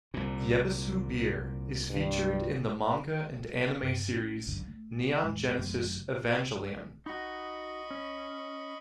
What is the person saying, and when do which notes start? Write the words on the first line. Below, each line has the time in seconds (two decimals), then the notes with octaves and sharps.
Yebisu Beer is featured in the manga and anime series "Neon Genesis Evangelion".
0.14 C2 A#2
1.90 G2
3.83 G2
4.08 C#4
4.47 G1 C#2 F#2 D3
4.68 A3
5.23 E2 A2 G#3
5.57 G#1 F#2 C#3 A3
7.06 D#4 F#4 D#5 B5 C#6
7.91 C#4